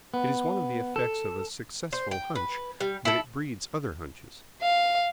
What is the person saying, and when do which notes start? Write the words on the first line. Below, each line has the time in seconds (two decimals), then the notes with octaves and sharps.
It is one of the effects of a successful hunch that it breeds other hunches.
0.14 B3
0.96 A4
1.93 C5
2.11 G5
2.35 B4
2.81 G3
3.05 E4 A4
4.62 F5